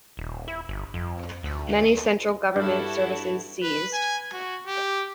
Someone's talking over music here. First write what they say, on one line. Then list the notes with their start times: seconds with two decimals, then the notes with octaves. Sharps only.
Many central government services ceased.
0.17 D#1
0.48 E4
0.68 G1
0.94 F2
1.43 D2
2.56 G2 E4 F#4 A4
3.62 B4
3.93 G#5
4.33 F#4
4.67 G4